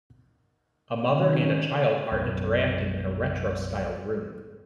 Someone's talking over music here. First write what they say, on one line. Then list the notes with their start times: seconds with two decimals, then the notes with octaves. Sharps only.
A mother and a child are interacting in a retrostyled room.
1.04 C3 D#3 C#4
2.12 B1 F#2